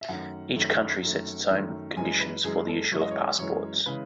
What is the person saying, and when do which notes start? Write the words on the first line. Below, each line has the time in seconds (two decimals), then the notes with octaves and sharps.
Each country sets its own conditions for the issue of passports.
0.01 E5
0.09 F#2 D#3 A3 F#5
0.56 F#2 D#3 A3
1.02 F#2 D#3 A3
1.50 F#2 D#3 A3
1.97 F#2 E3 G#3 G#5
2.20 B4
2.44 F#2 E3 G#3 G#4
2.68 A4
2.92 F#2 E3 G#3 C#5
3.01 D#5
3.11 C#5
3.39 F#2 E3 G#3 C#5
3.86 C#3 E3 G#3 B4